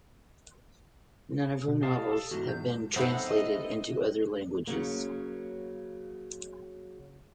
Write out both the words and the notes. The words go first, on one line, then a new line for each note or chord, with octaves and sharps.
None of her novels have been translated into other languages.
B2
G4 D#5 F5 A5
A4
E2 G#2 F#4
G6
A3 B3 C4 D#4 A4 C5 F#5
D#5 E5
C#3 F#3 A#3